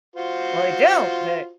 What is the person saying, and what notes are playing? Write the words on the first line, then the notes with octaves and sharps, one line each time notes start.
"Well, I don't," but
F4 F#4 C5